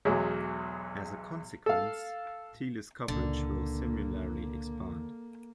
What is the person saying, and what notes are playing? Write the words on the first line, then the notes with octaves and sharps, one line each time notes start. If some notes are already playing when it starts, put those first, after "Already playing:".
As a consequence, Telus' coverage will similarly expand.
B1 E2 F#3 G#3
A4 F5
C#2 A#2 D3 A#3